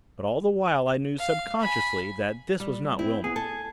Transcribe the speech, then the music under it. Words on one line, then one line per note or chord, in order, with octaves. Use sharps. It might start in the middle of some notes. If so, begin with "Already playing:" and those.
But all the while I knew subconsciously that this was not Wilma.
F5
G#5 B5
G3
C4 E4
B3 G#4
A4 G#5